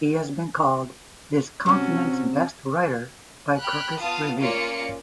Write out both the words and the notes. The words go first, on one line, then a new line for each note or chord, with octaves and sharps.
He has been called "this continent's best writer" by Kirkus Review.
C3 C4 C#4 F#4
G5 B5 F6 F#6
B3 F4 F5 A5 D#6
A#3 C#4 F4 D5 C#7 D7